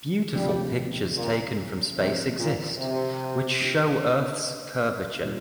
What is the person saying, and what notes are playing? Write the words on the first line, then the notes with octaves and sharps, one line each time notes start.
Beautiful pictures taken from space exist, which show Earth’s curvature.
D2 C3 F3 G3
A#2
C3 F3 C4 A#4
A#2
C3
D3 A#3 D4 F4
A#2 G3 D4 F4